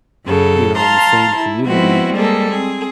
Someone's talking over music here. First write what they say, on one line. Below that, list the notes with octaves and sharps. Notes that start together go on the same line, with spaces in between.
you know, in the same community,
F#2 C#3 A4
F5 A5 A#5 C6
E4
F3 G#3 B3 C4 E4 F#4
G3 G#3 A#3 G#4 A4
C4 G#4